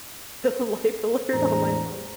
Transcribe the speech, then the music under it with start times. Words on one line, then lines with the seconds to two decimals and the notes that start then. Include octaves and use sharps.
Life alert on my phone.
1.34 E2 A2 G#3 D4 C5 A#5